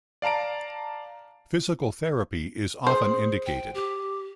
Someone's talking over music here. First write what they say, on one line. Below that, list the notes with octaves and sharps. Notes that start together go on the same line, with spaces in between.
Physical therapy is often indicated.
D5 F5 A5 A#5 D7
G#4 C5
G5
G4